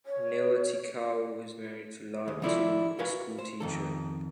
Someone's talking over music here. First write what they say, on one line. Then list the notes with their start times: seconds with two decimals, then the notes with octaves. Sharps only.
Nailatikau is married to Latu, a schoolteacher.
0.06 C#5
2.28 D#2 G#3
2.42 F3 D4 E4 F4 A4 D5
2.99 F#4 A#4 B4 F5 F#5 G#5
3.39 C5
3.60 F2 D#3 A4